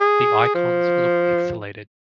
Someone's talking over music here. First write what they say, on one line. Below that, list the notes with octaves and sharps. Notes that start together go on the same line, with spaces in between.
The icons look pixelated.
G#4
F3